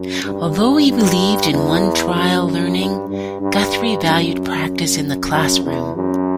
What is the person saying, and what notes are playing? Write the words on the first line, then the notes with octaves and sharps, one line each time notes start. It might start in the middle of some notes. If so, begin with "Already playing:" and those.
Although he believed in one-trial learning, Guthrie valued practice in the classroom.
Already playing: F#2
G2
G2
E2
F#2
G2
G2
G2
F#2
F#2
E2
F#2